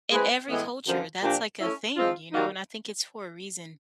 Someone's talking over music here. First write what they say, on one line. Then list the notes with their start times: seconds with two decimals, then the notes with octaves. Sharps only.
in every culture that's, like, a thing, you know, and I think it's for a reason.
0.11 G#3 C4 E4 G#4 B4
0.49 A2 E3 G#3 B3
0.86 F#2 D3 F3
1.22 A#2 F3 A#3 D4 G4
1.59 A3 C#4 E4
1.97 F3 G#3 C4 F4
2.32 D#3 G3 A#3 D#4 F#4